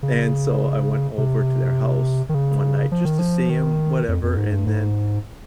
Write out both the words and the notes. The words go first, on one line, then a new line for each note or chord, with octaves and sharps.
And so I went over to their house one night just to see him, whatever, and then,
C#3
C3
D#3
C#3
F3
D#3
F3
D#3
F2
F2
G#2
G2
G#2